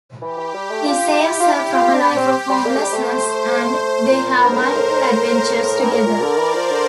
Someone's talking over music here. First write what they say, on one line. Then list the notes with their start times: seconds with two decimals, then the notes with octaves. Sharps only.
He saves her from a life of homelessness and they have multiple adventures together.
0.22 E3 G4
0.38 E3
0.54 G3
0.70 A3
0.87 F4 G4
1.19 E4
1.40 F4
1.52 E4
1.73 F4
1.94 D4
2.17 C4
2.49 G3
2.66 A#3
2.75 A3
2.81 G3 C5
2.93 A3
4.10 A#2 A#4
4.44 G2 C5
4.52 A2
4.61 G2
4.76 A2 C5
5.08 A#4
5.41 A#4
5.73 A#4
5.79 G2
5.92 A2
6.05 A#2 D5
6.22 D3
6.38 E3 C5
6.54 F3
6.70 D3